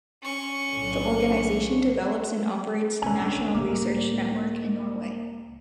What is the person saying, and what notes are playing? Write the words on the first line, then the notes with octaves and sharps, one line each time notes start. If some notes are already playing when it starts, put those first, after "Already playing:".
The organization develops and operates the national research network in Norway.
C#4 C#6
B1 A2 D3
D#1 G#2 D3 C#4 G#5
F2
C#2 A2 A#3